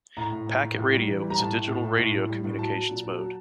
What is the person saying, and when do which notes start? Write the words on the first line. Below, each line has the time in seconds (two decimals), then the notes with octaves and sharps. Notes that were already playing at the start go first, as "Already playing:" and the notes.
Packet radio is a digital radio communications mode.
0.17 A2 A#5
0.32 A2
0.47 A2
0.62 A2
0.77 A2
0.93 G3
1.08 E3
1.22 G3
1.30 A#5
1.37 A2 A5
1.53 A2
1.68 A2
1.83 A2
1.98 A2
2.13 A2
2.29 G3
2.44 A2
2.59 F#3 A5
2.73 F#3
2.89 A#2
3.04 F#3
3.19 F#3